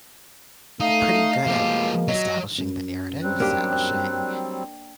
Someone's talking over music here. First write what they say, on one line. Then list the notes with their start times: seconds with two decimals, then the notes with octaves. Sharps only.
m pretty good at establishing the narrative, establishing,
0.80 A3 D#4 F5
1.47 B2 F3 G#3 A#3 G4
2.08 F#3 D#5
2.58 F#2
3.23 F#3 G3 C4 F#6
3.40 A#3 D4 G4